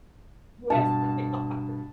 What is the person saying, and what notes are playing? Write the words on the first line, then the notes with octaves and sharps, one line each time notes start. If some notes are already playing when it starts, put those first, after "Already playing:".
Yes. They are.
G2 B2 A5